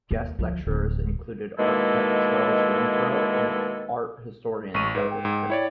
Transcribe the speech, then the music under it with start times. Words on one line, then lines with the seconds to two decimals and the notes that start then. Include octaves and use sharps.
Guest lecturers included architect Charles Renfro and art historian Douglas Crimp.
0.11 D#2 A3
0.39 D2 F3
0.67 D1 F3 C4
1.58 B2 D#3 G#3 A#3 E4 A4
4.74 A1 C#6 D#7
4.95 G#2 B4
5.10 G5
5.25 G#2
5.50 E4 C#5 D5